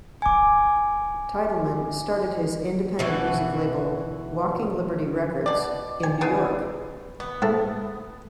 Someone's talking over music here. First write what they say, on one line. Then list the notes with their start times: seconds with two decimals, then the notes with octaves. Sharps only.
Titelman started his independent music label Walking Liberty Records in New York.
0.22 G#5 D6
2.99 B2 E3 F#4
5.46 B2 D5
6.04 G#5
6.21 C#3 B3 G#4
7.20 B3
7.42 G#2 A3